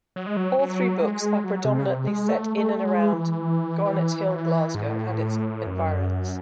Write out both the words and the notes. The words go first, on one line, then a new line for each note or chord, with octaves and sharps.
All three books are predominantly set in and around Garnethill, Glasgow, and its environs.
F#3
G#3
F#3
F#3
G#3
F#3
C3
C#3
C3
G#3
A3
A3
G#3
E3
G#2
A2
F#2